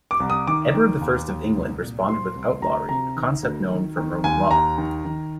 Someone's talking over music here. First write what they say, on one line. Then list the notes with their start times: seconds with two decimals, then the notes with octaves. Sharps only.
Edward the First of England responded with outlawry, a concept known from Roman law.
0.11 D6
0.20 C2
0.30 D#6
0.47 D#3 D6
0.74 D#3
1.01 D#2
1.28 D#2
1.55 C2
1.82 A#2
2.09 F3 C6
2.35 C2
2.62 D2 A#5
2.89 C3 A#5
3.16 D#3
3.43 D2
3.70 D#3
3.97 D#3
4.24 D#2 G#5
4.51 D#2 A#5
4.78 D#3
5.05 D#3